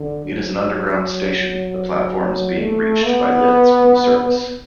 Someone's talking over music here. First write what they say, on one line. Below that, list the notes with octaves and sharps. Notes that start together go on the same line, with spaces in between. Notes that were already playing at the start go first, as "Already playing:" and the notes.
It is an underground station, the platforms being reached by lifts from the surface.
Already playing: D3
F#3
A3
B3